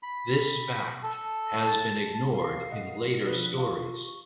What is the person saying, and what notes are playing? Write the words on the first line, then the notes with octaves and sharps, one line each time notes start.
This fact has been ignored in later stories.
B5
A4
A5
F5
D#5 F#5
F3 B3 D4 B4 D#6
F4 G4 C#6